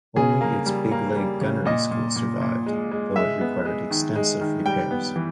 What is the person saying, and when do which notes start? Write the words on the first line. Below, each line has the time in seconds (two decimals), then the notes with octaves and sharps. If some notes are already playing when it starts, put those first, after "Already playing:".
Only its Big Lake Gunnery School survived, though it required extensive repairs.
0.16 C#3 G#4
0.41 A#3
0.66 G3
0.91 A#3
1.16 G3
1.41 C#3
1.65 A#2 D#5
1.91 A#2
2.16 A#2
2.41 A#2
2.66 G#3
2.91 G#3
3.16 G#3 E5
3.41 B3
3.66 G#3
3.90 D#3
4.16 G#3
4.41 D#3
4.66 G3 G5
4.91 B3
5.16 E3